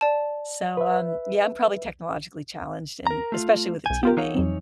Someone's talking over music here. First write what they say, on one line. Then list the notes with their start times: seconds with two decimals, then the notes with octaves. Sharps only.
So, um, yeah, I'm probably technologically challenged and especially with the TV.
0.01 D5 A5
0.77 B4 E5
3.07 A#4 A#5
3.32 A3 F4
3.86 B1 G#5 G6
4.03 B3 F4 G4 A#4
4.17 E3 D#4 A#4 C#5 F5 F#5
4.35 F2 F#3 C4